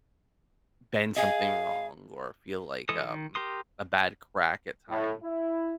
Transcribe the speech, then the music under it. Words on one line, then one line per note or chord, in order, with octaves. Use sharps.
bend something wrong or feel like, um, a bad crack at times
G#4 D#5 F5
E3 G#3 A4 D#6
D#3
G4 A#4 C6 D#6
A2
E4